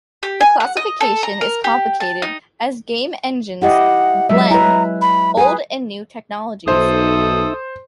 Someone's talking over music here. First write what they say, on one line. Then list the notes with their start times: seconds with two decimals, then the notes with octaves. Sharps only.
The classification is complicated as game engines blend old and new technologies.
0.23 G4
0.40 G#5
0.60 F#5
0.77 D#5
1.01 A4
1.23 A#5
1.41 A#4
1.64 G4
2.00 A5
2.22 D#4
3.62 E4 G4 D#5 F#5
4.30 F#3 G#3 E5
4.51 E4 B4 A#5
5.01 B5
5.37 G#4 B4 G#5
6.68 B1 D#4 A4 C5 E5 D#6